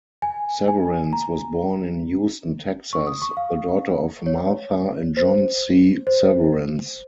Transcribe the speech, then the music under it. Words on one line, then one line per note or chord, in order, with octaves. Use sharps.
Severance was born in Houston, Texas, the daughter of Martha and John C. Severance.
G#5
G#5
A#5
C#6
D#6
C#6
F5
C#5
C5
C5